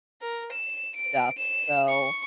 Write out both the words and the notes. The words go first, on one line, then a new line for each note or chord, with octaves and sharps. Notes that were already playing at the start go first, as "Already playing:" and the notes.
stuff so,
A#4
E7
D7
E7
C#6